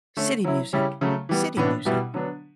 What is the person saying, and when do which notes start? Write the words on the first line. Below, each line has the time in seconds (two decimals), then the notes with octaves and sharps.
City music. City music.
0.17 D3 A3 C#4
0.44 F#3 C#4 E4
0.73 C#3 G3 C#4 E4
1.01 C#3 F#3 A3
1.29 E3 G3 B3
1.57 A2 E3 B3 D4
1.85 B2 G3 B3 E4
2.14 D3 F#3 B3 D4